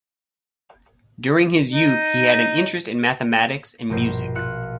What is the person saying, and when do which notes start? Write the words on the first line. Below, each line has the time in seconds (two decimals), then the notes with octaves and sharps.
During his youth, he had an interest in mathematics and music.
1.71 D#4
3.90 A#1 G2 B2 C5 G6 C7
4.35 F4 E5 F#6 C#7